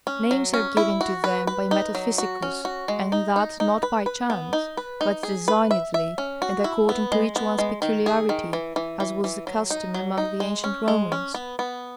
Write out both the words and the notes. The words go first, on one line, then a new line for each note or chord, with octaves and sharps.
Names are given to them by Metaphysicus, and that not by chance, but designedly, and according to each one's peculiarity, as was the custom among the ancient Romans.
C#4
F#3
C#4
E4
F#4
B4
B4
D#4
F#3
F#4
C#4
F#4
G#3
D#4
D#4
D#4
B4
B4
B3
D#4
B4
D#4
G#4
B4
E5
E5
C#4
F#4
E4
B3
G#3
B3
G#3
D#3
G#4
D#3
E3
E3
E3
E3
F#3
D#4
F#3
D#4
G#3
C#4
G#3
C#4
B3
B3